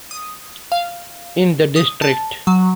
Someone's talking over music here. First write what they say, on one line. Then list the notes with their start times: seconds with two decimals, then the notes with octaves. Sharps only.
In the district.
0.11 D#6
0.72 F5
1.76 D#6
2.02 A5
2.47 F#3